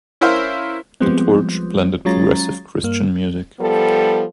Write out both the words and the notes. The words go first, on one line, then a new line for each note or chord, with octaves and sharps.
The Torch blended progressive Christian music.
C#4 E4 A#4 C5 F5
F3 G3 G#3 B3 C4
F#3 G#3 C#4 F4 A#5 A6
G2 A#3
F3 G3 B3 A4